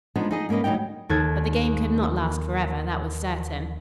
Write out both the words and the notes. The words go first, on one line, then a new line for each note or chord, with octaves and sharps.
But the game could not last forever, that was certain.
F3 G#3 B3 D4 D#4
D#4 G#4 D#5
G#2 A#3 C#4 B4 D#5
D2 F#3 G3 D#4 G5
D#2 A4 G#6